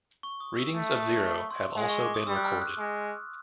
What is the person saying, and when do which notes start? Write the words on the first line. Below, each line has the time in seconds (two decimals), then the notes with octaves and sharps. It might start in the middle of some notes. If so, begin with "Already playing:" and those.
Readings of zero have also been recorded.
0.23 C#6
0.40 D#6
0.57 E6
0.74 A3 E6
0.93 E6
1.00 D#6
1.25 C#6
1.51 C6
1.76 G#3
1.89 C#6
2.01 D6
2.14 D#6
2.27 G3 E6
2.36 F#6
2.44 F6
2.62 F#6
2.78 G#3